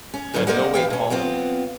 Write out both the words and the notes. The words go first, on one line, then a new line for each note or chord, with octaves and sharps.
the No Way Home.
C#4
F2 G#2 D3 F#3 B3
A#3 A#4 C5 D5 D#5 F#5
E3 F5 G5
B2 C#4
F#3 B3 C4 F4